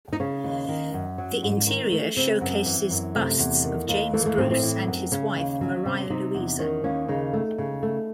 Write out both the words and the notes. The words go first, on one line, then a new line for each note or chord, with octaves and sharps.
The interior showcases busts of James Bruce and his wife, Maria Louisa.
D#4
C#3 C#4
D#2
D#3
F#2
F#3
G#2
D#3
A3
C#3 C4
F#2
E3
F#2
C3 A3
E2
D#3
D#2
E3 A3
A3
A2 C4
C4
E3
F#2
C#3 C#4
D#2
F#3 C#4
C3
C3 D#4
E2
D#3 C#4
D#2 C#4
C#3 D#4
A3
C#3
A3